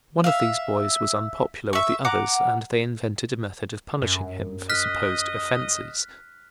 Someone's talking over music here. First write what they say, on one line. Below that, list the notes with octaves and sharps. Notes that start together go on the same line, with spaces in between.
One of these boys was unpopular with the others, and they invented a method of punishing him for supposed offenses.
E5 F5
E5 C#6
F#5 A#5 D6
F#2
D#5 F6 F#6 B6